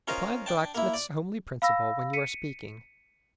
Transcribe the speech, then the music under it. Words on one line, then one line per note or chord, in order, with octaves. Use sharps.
Apply the blacksmith's homely principle when you are speaking.
C#4 F4 A#4 C5 D#5
D4 G5 A5
A#3 E4
D5
F5 B5 E6 A#6
B6 C#7 D#7